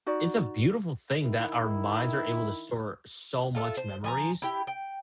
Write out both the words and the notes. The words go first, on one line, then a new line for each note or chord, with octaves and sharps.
it's a beautiful thing that our minds are able to store so much memories,
D#4 F#4 D5
D#3 E4
F4 A4 D5 E5
C5
F3 G#5 A#5
E4 G4
G5